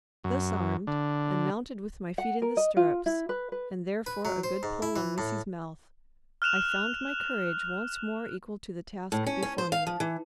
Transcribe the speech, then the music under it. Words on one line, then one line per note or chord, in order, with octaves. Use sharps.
Thus armed, and mounted with my feet in the stirrups, and therefore a good pull on Missy's mouth, I found my courage once more equal to the task before me.
F#2
D3
F#5
A#4
D#5
F4
E4
B4
B4
B4
F#3
C5
G#2
E4
E3
A2
F6 F#6 E7 F7
A2
C#4
C#4
C5
F5
F3
E3